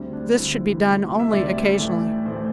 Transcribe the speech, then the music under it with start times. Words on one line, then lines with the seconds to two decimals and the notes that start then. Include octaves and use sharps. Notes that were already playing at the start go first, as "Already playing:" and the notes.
This should be done only occasionally.
Already playing: D2 D3 G3 C4
0.13 D4
0.37 D2 D3 G3 E4
0.84 D2 C3 G3
1.20 E5
1.31 D2 C3 G3 D5
1.79 A1 A2 A3
2.25 A1 A2 A3 C5
2.35 A4